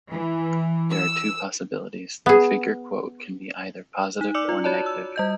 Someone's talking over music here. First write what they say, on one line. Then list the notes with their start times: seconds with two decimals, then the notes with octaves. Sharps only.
There are two possibilities: the figure quote can be either positive or negative.
0.11 E3
0.92 E6
2.26 B3 G#4
4.21 D#4
4.34 D5 D6 E6 C#7 F#7
4.49 F4
4.64 F#4 C#5 D5 A5
4.86 E6
5.16 G3 D#5 G6